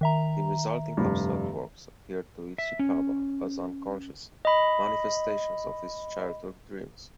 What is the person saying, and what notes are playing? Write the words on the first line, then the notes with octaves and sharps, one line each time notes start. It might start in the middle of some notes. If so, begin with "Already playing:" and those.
The resulting abstract works appeared to Ishikawa as unconscious manifestations of his childhood dreams.
D#3 E5 A#5
F1 G2
E5
C#4
D#5 B5